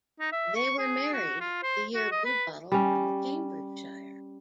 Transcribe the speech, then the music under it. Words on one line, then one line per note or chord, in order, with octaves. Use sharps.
They were married "the year Bluebottle won the Cambridgeshire".
D#4
E5
C#6
G#4
F#4
F4
C5
F#4
D#5
B4
G3 C#4